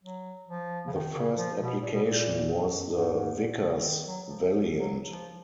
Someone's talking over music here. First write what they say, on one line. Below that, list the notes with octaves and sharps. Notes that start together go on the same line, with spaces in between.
The first application was the Vickers Valiant.
F#3
F3
C#3
D#3
C#3
F3
B2
A#2
B2
A#2
F#2
G#2
G#2
A#2
C#3
D#3
F#3
F3
F#3
F3